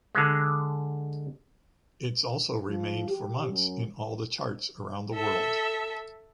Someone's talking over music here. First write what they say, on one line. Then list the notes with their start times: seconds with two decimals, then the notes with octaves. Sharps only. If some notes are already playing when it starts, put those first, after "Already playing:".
It’s also remained for months in all the charts around the world.
0.15 D3 G#3
2.67 F3
3.07 G4
3.49 F#2
5.13 A4 E5